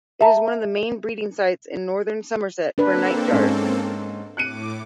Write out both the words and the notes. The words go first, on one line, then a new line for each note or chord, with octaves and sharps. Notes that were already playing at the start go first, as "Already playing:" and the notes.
It is one of the main breeding sites in northern Somerset for nightjars.
E5 A5 A#5
A#3 C4 D4 A4 B4
G#2 C#4
A2 D6 F#6 C#7 D#7